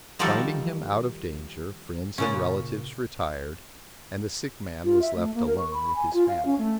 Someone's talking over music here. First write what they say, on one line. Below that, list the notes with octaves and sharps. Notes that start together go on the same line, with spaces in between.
Finding him out of danger, friends and relatives retired, and the sick man was left alone with his family.
D#3 F3 G3 F#4 A4 A#4
A#2 C#3 C#4
F4
E5
A3
A#3
A#4
C#6
B5
G#5
F4
F5
C#4
A3